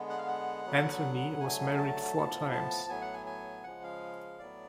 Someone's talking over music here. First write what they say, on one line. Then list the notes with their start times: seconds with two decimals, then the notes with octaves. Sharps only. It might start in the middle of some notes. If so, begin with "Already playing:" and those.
Anthony was married four times.
Already playing: D3 G#3 B3
0.10 F#5
0.18 F5
0.28 F#5
0.65 D3 F#3 B3
1.39 D3 F#3 A3 G#5
1.77 A5
2.14 A2 F3 B3
2.51 A5
2.89 A2 F#3 B3 G#5
3.02 F#5
3.14 G#5
3.26 G#5
3.63 C#3 F3 G#3 F#5
3.83 F5
4.38 A2 F#3 B3 D5